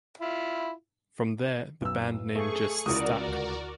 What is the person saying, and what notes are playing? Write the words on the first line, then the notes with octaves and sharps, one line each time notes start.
From there, the band name just stuck.
E4 F4
B1 F#2 B4 F5 E6
A3 G#4 C#6
C#2 G#3 C#4 E4 F#4 A#4 D5 D#6
D2